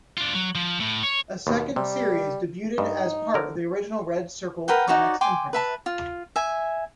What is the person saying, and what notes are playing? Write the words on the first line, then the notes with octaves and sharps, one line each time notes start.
A second series debuted as part of the original Red Circle Comics imprint.
D4 F4
F#3
F3
A2
C#5
D#2 B2
C3 G3
G2 D#4
D3 A#4
A#4 B4 F#5 G5
D#4 F#4 C#5 D5
G5 G#5 C6 D6
B4 E5 A5
F4
E5 G#5